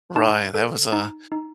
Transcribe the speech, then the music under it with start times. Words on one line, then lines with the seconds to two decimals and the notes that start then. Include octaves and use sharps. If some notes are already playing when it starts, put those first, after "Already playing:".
Right, that was a
0.16 D#4 A5
0.54 A4
0.93 D#4
1.32 D#4